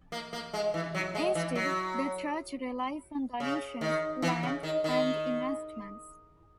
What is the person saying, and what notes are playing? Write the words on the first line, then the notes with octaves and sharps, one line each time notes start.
Instead, the Church relies on donations, land and investments.
A#3
A#3
G#3
E3
F#3
G#3
E3
F#3
C#3
D#3
E3
C#3
D#3
D#3